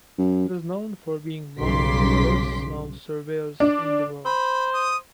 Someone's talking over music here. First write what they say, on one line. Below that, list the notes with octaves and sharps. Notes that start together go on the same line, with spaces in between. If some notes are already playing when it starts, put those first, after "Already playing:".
He was known for being one of the first snow surveyors in the world.
F#2
B1 G2 C#3 C6 D6 B6
D4
C5 B5
D#6